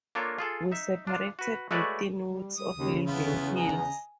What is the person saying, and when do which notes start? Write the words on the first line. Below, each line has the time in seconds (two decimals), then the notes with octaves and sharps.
We separated within weeks of leaving Hills.
0.15 A#3 D4 F4 A4 A#4 C#5
0.39 F4 G#4 A4
0.72 D#4 E5
1.07 D4 F4
1.39 F#4 B4
1.71 G#3 A3 F#4 B4 C#5 D5
2.29 G3
2.57 G3 D#6
2.76 D#2 C#3
3.07 E2 B3 E4 F4
3.56 D#5 G#5 A#5